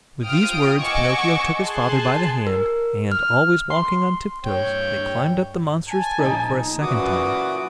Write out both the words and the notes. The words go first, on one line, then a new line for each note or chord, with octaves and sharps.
With these words Pinocchio took his father by the hand and, always walking on tiptoes, they climbed up the monster's throat for a second time.
F4 G5 D#6 F6 D7
D#5 F#5 G#5 C#6 D6 E6
G#4 G#5 A5 C6 F#6
A#4
F6
C6
G2 C#5 G5
G#5 A5
A#1 D#4
F#2 A#2 E3 F#4 D6 D#6